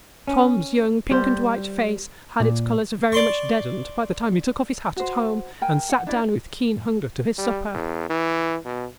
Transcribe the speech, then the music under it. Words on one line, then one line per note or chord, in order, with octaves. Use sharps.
Tom's young pink-and-white face had its colors very much deadened by the time he took off his hat at home, and sat down with keen hunger to his supper.
C#4
G3 C5
A#2
D5 C6 C#6
F#4 C5
A#4 G5 G#5
F#5
D4 E4 D5
G3
E2
E3
B2